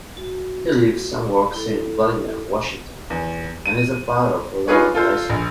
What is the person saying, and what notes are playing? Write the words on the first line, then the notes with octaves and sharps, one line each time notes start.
He lives and works in Bellingham, Washington and is the father of Lauren Dyson.
F#4
E4 A4
E2
D#7
D#4 F4 G#4 B4 C#5
F4 A4 C5
A#1